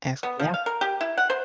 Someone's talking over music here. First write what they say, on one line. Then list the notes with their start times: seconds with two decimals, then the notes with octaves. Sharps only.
That's yeah.
0.23 B3
0.40 F3
0.54 F5
0.66 A#4
0.81 G4
1.01 E4
1.18 F#5
1.30 C5